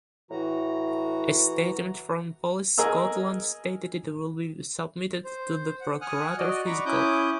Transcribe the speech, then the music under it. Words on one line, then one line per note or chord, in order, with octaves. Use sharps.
A statement from Police Scotland stated it would be submitted to the Procurator Fiscal.
A2 E3 F#4 A#5
G#4 A#4 D#5 A#5 E6
C5
F#5
F#5 G#5 D#6 F6 F#6
F#4 D5 D#5
A#5 B5 C#6 D6
C#4 E4 D6 D#6 F#6 G6